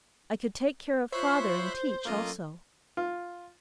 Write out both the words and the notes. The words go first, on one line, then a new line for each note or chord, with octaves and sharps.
I could take care of father and teach also.
F4 C5 C#5 E5 B5 C#6 F#6
F#3 A#3 C#4 F4 A4 D#5
F4